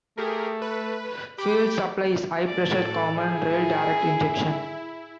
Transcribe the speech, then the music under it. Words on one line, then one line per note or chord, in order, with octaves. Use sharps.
Fuel supply is high-pressure common rail direct injection.
A3 G4 G#4 A#4
B4
G4 G5 B5 D6
A2 A4 D5
E4 G#4